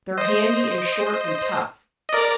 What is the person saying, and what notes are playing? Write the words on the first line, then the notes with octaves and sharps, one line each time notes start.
They're handy and short and tough.
C5 D#5
D#5
A#4 D5